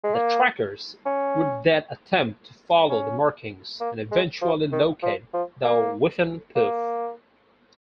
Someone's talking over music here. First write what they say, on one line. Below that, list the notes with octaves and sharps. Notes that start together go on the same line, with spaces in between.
The trackers would then attempt to follow the markings, and eventually locate the Whiffenpoof.
G#3
A#3
C#4
C#4
A#3
G#3
F3
D#3
F3
F3
A#3
A#3